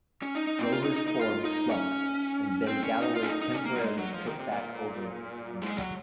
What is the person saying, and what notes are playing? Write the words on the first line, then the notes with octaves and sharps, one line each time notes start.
Rovers' form slumped, and Ben Galloway temporarily took back over as manager.
C#4
D#4
D#4
C4
F4
D#4
D#4
D#4
F4
D#4
C#4
C4
C#4
D#4
F4
C#4
D#4
D#4
C#4
A#3
F#3
G#3
F#3
F3
D#3
C3
A#2
G#3
F#3